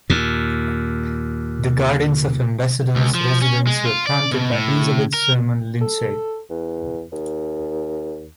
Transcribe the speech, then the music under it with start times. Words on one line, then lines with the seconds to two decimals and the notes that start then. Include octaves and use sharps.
The gardens of the ambassador's residence were planted by Elizabeth Sherman Lindsay.
0.10 D#2 A#2
2.96 C#2
3.15 F3
3.42 C#4
3.67 G#3
3.85 F4
4.07 D5
4.32 B2
4.51 A2
5.14 A#4
5.82 A4
6.50 E2
7.12 D#2